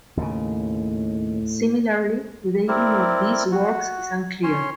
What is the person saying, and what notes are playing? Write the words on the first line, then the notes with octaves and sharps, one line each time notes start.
Similarly, the dating of these works is unclear.
D#2 A2 C#3
C4 E4 A#4 D5
F#4
C#4 C#5 C6